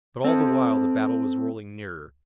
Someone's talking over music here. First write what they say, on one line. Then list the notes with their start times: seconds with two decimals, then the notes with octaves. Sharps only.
But all the while the battle was rolling nearer.
0.24 C4 A4